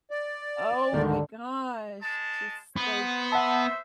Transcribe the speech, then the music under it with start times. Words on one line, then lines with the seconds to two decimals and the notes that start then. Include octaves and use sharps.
Oh my gosh. It's just, like,
0.11 D5
0.93 D1 G#2 D3 D#3
2.02 G#3 A5
2.77 B3 D#4 C5
3.32 E5 F#5 A5